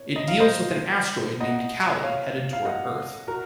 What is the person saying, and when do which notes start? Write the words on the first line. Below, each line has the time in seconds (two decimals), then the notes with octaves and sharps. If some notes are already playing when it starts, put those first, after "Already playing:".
It deals with an asteroid named Kali headed toward Earth.
Already playing: C#5
0.16 D#5
0.28 F5
0.40 C5 D#5
1.40 D#5 F#5
2.03 C#5 F5
2.53 F5
2.65 D#5 F#5
3.27 F#4 A#4